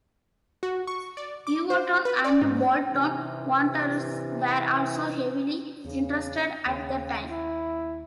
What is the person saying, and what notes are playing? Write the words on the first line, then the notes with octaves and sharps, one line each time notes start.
Everton and Bolton Wanderers were also heavily interested at the time.
F#4
C#6
D5
D6
C5
B4
D5
G#2
C3 E3
E2 C#3
D#2 C#3
E4